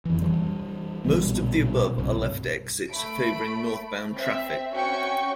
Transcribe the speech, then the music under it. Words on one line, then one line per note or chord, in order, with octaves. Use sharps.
Most of the above are left exits favoring northbound traffic.
F2 E3
E3 G3
A#1 B2 G3 B3
B1 G2 C3
A3 B5 D7
C4 E5
C#4 F#4 G5 C#6